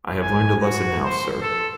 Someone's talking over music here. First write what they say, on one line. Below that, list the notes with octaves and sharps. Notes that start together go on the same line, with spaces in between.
I have learned a lesson now, sir.
G#5
F#4
C5
A4